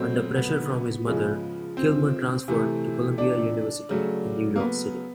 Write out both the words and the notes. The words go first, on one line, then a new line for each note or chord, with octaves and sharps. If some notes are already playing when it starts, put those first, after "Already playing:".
Under pressure from his mother, Kilmer transferred to Columbia University in New York City.
Already playing: B2 F#3 A3 C4
B3
C#3 F3 G#3
C4
C3 E3 A3
D4
C#3 F#3 A3
A#3
B3